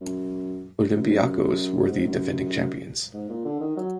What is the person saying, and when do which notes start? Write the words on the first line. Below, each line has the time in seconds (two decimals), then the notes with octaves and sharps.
Olympiacos were the defending champions.
0.01 F#2
0.94 F#2
1.10 F#2
1.88 G#2
2.04 F#2
3.13 G#2
3.29 A#2
3.45 D3
3.60 D#3
3.77 F#3